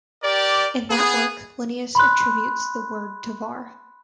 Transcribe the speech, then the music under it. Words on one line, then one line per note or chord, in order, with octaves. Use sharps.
In that work, Linnaeus attributes the word to Varr.
G4 A#4 D5
B3 G#4
B5 C6 F#6